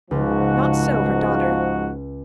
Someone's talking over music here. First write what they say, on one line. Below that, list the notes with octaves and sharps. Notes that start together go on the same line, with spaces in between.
Not so her daughter.
C#2 G#2 F3 F#4